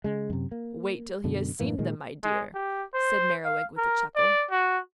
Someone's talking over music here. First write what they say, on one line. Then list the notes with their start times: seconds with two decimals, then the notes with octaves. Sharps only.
"Wait till he has seen them, my dear," said Merriwig with a chuckle.
0.04 C#3 G#3
0.30 F#2 C3
0.52 A#3
1.24 F#2 B2 D3
1.60 F#2 A2 E3 A#3
1.79 A#2 D#3 G#3
2.24 G#3
2.55 G4
2.94 C5
3.45 F5
3.77 A#4
4.16 D5
4.51 F#4